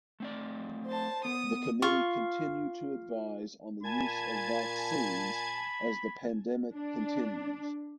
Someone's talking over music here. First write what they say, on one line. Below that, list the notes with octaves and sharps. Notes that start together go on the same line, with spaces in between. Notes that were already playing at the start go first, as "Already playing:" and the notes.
The Committee continued to advise on the use of vaccines as the pandemic continues.
A3 C4 D5
C5 A5
B3 D#6
F4 C#6
A#2 G#5 A5 B5 G#6
D4